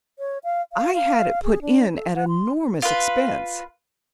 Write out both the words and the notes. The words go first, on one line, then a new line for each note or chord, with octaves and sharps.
I had it put in at enormous expense.
C#5
F5
F5
F5
G#4
D4
A4
F#5
C6
F4 B4